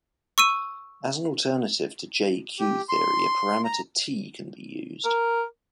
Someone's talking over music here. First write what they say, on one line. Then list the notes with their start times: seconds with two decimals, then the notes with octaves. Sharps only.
As an alternative to J-Q theory, a parameter T can be used.
0.38 C#6 E6 D#7
2.60 G4
2.89 C6
3.64 A#5
5.05 A#4